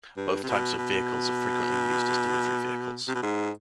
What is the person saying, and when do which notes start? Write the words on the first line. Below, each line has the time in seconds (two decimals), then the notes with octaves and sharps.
Both types of vehicles are frequently used as delivery vehicles.
0.17 G2
0.43 C3
0.49 B2
0.78 B2
3.08 C3
3.15 B2
3.23 G#2